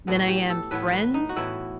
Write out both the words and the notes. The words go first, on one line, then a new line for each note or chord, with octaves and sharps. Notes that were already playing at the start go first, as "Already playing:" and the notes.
than I am friends
A2 E3 B3 F#4
G4
A4
A2 E3 B3 B4
B4
D#4
F#4
A2 E3 B3 E4